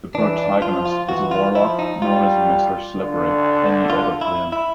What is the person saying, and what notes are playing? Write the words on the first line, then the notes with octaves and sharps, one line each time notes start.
The protagonist is a warlock known as "Mr. Slippery" in the Other Plane.
E3 D4
D4
F3 F4
F4
E3 F#4
F4
F3 E4
D#4
G3 F4
D3
F4
E4
E4